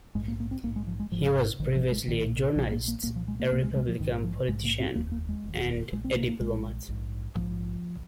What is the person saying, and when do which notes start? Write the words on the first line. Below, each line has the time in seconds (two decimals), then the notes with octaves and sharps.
He was previously a journalist, a Republican politician, and a diplomat.
0.15 A#1 G#2 G#3
0.28 A#3
0.40 A#3
0.51 C4
0.63 A#1 A#3
0.67 G#2
0.76 G#3
0.87 F3
1.00 G#3
1.11 G#1 G#2 F3
1.59 G#1 G#2 D#3
1.75 F3
1.92 G#3
2.08 A#1 A#2 D#3
2.56 A#1 A#2 F3
2.71 A#3
2.88 A#3
3.03 C2 A#2 A#3
3.16 F3
3.28 G#3
3.40 A#3
3.51 C2 A#2 A#3
3.63 G#3
3.76 G#3
3.88 F3
3.99 A#1 G#2 D#3
4.24 F3
4.48 A#1 G#2 G#3
4.65 A#3
4.80 C4
4.95 F1 D#2 A#3
5.12 A#3
5.29 G#3
5.44 F1 D#2
5.92 A#1 A#2 G#3
6.04 C4
6.16 A#3
6.28 A#3
6.40 A#1 A#2 G#3
6.88 A#1 G#2
7.36 A#1 G#2 F3